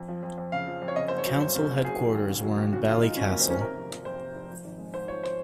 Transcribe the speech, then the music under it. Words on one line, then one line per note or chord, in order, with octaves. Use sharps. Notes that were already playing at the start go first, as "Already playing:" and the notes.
Council headquarters were in Ballycastle.
Already playing: F2
F3
F2
F2
C#3 F5
F3
F2
C#5
C#3 D#5
F#1 C5
C#5
F#3
F#2 C5
C#3
F#1
F#3 G#4
D#2
D#2
C#3
F#3
D#2
C#3 F#4
G#1 F4
G#3 D#4
F#2 C#4
A#3
C#3
C4
G#1 C#4
C3 A#4
F1
F3
F2 C5
C3
F1
F3
G#1
G#3
G#2 C5
F3 C#5
C5